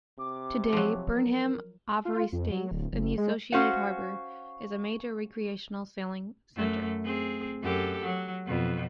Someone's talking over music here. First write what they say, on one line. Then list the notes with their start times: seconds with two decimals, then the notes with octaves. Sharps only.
Today Burnham Overy Staithe, and the associated harbour, is a major recreational sailing centre.
0.19 C3 D6
0.73 F3 F#3
1.16 A#4
2.05 F4
2.32 F2
2.51 F#3
2.71 D1
2.93 F#1
3.18 G#3
3.52 C#4 F#4 C5 F5 F#5
6.56 F#2 A3
7.04 C4 G#4
7.63 F#2 G4 A4
8.03 F#3
8.46 F2 B2